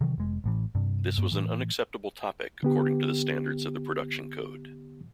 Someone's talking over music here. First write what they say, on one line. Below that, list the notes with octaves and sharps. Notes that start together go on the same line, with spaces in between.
This was an unacceptable topic according to the standards of the Production Code.
C3 D#3 E3 F#3
F1 G#3
A1 A2 E3
G2 C3
G2 A#3
A2 E3
D3 B3 G4